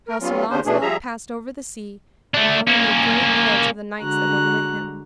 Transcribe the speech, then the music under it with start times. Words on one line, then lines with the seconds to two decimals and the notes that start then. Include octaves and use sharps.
How Sir Launcelot passed over the sea, and how he made great lords of the knights that went with him.
0.08 A#4
0.21 F#3 G3 B3 C#4 F4
0.50 D#2 C#3 C#4 D4 C5
0.65 B2 E3 A3 D4 G#4
0.81 F3 G3 G#4 E5 A#5
2.34 A3 D4
2.67 A#3 C#4
4.01 D3 G#3 F#4 A#5 F#6